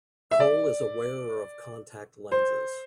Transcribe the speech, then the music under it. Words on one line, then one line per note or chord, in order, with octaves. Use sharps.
Cole is a wearer of contact lenses.
E5
D5
C5